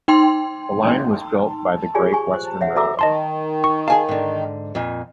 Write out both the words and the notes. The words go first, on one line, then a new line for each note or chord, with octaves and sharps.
The line was built by the Great Western Railway.
D#4 G5 C6
F4 G4 G#4 C#5 D5 G#5
G#5 C#6
C5
C#5 E5 F#5
F#4 A4 E5 A#5 D6 E6
D#3 D#5 A5 C6
C#6
G#4 F5 G#5 A5
G#2 D3
F2 A#2